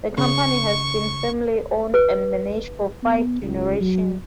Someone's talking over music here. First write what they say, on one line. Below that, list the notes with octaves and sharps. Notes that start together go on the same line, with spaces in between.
The company has been family-owned and managed for five generations.
C#3 C#6
B4
B3
C#2
F#3